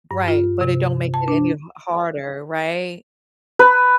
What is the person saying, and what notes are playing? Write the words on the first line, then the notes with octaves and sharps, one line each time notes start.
Right, but it don't make it any ha harder. Right?
G2
F4
C3
A5
D4
B4